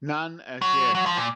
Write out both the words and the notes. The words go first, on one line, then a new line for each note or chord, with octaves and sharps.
None as yet.
F#3
F#3
F3
A#2